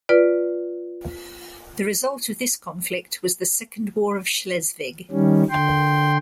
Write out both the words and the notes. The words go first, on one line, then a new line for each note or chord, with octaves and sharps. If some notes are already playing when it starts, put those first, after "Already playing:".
The result of this conflict was the Second War of Schleswig.
F4 B4 D5
D#3 G3 C#4
D3 G5 C6